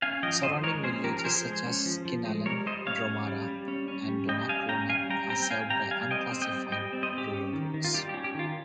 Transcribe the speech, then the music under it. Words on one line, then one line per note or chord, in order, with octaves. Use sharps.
Surrounding villages, such as Kinallen, Dromara and Donaghcloney, are served by unclassified rural routes.
C#4 F5 G#5
F3 D#5 G5
F3 C5 D#5
G#3 A#4 C#5
C#4 G#4 C5
F3 G4 A#4
A#4
F3 G#4 C5
G#3
C#4
F3
F3
G#3
G3 A#4 C#5
G3 C5 D#5
C#4 C#5 F5
C#4
G3
G3
C#4
C#4
G3
G3 D#5 G5
C#4 F5 G#5
C#4 G5 A#5
G3 F5 G#5
G3 G5 A#5
C4 G5 A#5
G5
C4 F5 G#5
G3 G5 A#5
G3 F5 G#5
C4 D#5 G5
C4
D#5 G5
G3
G3 D#5 G5
C4
C5 D#5
C4
G4
C#4
D#3
D#3
F4
G3 G4
G4
C#4
G4
D#3 F4